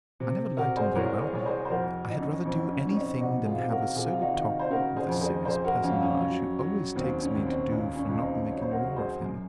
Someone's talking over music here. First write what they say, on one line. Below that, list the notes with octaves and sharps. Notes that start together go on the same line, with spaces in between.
I never liked him very well; I had rather do any thing than have a sober talk with a serious personage, who always takes me to do for not making more of him.
C3
C3 F#4 A#4
G#4 C5
C2 A#4 C#5
G#4 C5
C2 C#5
G#4 C5
C5
F2 F#4 A#4
F2 D#4
C#4
F2 C4
C#4
F2 C#4
C4 D#4
C3 D#4 F#4
F4 G#4
C3
F#4 A#4
C3 F4 G#4
F4
D#4 F#4
D#3
C5
C#3 F#4 A#4
G#4 C5
F2
G#4 C5
F2 G#4 C5
F#4 A#4
F2 C#4 F4
C#4
F#3
F#3
D#2 C4
C#4
D#2
C4
C#2 C#4
C#4
C#2
C4 D#4
F#3 C#5
C5
F#4 A#4
F#3
G#4 C5
F#2